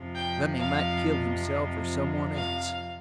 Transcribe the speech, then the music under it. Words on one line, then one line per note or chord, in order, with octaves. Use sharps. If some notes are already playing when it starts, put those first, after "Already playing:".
Fleming might kill himself or some one else.
Already playing: F2 C3 F3
G5
F5
F5